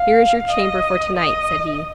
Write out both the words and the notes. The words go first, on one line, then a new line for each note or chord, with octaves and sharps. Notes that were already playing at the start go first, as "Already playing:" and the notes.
"Here is your chamber for to-night," said he.
Already playing: F5
D#5
D#5